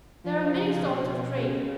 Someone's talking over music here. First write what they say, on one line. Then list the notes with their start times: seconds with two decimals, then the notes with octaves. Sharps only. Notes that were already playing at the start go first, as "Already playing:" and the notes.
There are many sorts of trades.
0.24 F3
0.52 C#3
0.80 B2
1.36 C#3